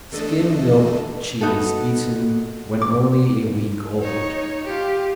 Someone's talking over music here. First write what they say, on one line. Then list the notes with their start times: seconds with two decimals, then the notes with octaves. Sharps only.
Skim-milk cheese eaten when only a week old.
0.12 E2 A3 D4 A4 D#5
1.41 B3 D#4 F#4 A4
2.82 D6
4.02 D#4 C#5
4.65 F4 G4